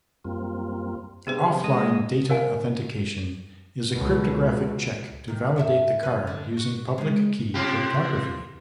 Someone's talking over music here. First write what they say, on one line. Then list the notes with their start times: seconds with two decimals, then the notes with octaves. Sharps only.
Offline data authentication is a cryptographic check to validate the card using public-key cryptography.
0.25 F#2 G3 A#3 C4 F4
1.27 G2 C3 B3 G#4 C5
1.64 G#3 D#5
2.30 A#4 F5 G#5
3.93 C#2 B2
5.28 C3 D#3
5.56 G2 C#5 E5
6.03 F2 B4
6.27 D3
6.57 F#4
6.98 C#3 G#3
7.54 C3 F4 G4